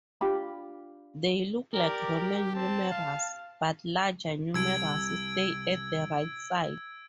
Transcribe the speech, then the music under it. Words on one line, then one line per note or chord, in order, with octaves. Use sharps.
They look like Roman numerals, but larger numerals stay at the right side.
D4 F4 G4 B5
G4 A#4 D5
C4 A5
F5
C2 E6 G#6 D7